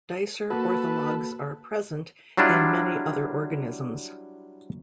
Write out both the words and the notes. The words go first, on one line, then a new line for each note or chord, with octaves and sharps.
Dicer orthologs are present in many other organisms.
A#3 F#4 A4 B4
F#3 G3 D4 E4 F4